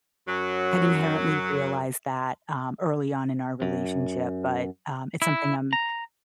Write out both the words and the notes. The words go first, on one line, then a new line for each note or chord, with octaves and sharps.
had inherently realized that, um, early on in our relationship, but, um, it's something I'm
F#2 F#3
F#2
E4
A#5